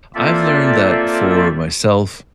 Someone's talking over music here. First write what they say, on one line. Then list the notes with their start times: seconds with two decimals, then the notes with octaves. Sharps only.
I've learned that for myself
0.15 A#3 C4 F4 A4 D5 E5